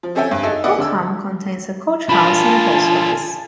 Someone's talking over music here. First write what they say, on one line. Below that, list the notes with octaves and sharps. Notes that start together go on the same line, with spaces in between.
Crookham contains a Coach House and a Post Office.
F3
C4 C#4 A4 E5 G5 G#5
G2
D#4 G#4 A4 E5
A#3 E4 D5 D#5 F#5
D3 D4 E6
D4 F4 A#4 G#5 A5 B5